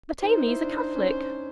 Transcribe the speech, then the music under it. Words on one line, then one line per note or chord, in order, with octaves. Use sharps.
"But Aimee is a Catholic?"
D#4 C5
E4
D4
D#4
C#4